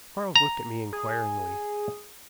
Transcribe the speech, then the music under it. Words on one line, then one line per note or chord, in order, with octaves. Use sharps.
Quarles looked at me inquiringly.
A#5
G#4